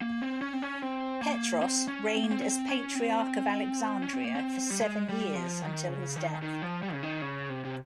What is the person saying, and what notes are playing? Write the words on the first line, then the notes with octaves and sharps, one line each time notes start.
Petros reigned as Patriarch of Alexandria for seven years until his death.
A#3
C4
C#4
C4
C#4
C4
A#3
C4
C#4
C4
A#3
C4
C4
C#4
C4
C#4
C4
A#3
C4
G3
G#3
G3
F3
D#3
C#3
D#3
D#3
F3
G3
C#3
D#3
C#3
C3
C3